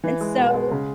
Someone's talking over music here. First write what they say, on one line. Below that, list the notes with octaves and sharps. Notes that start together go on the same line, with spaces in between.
and so
E3
G#3
B2
G#3
C#3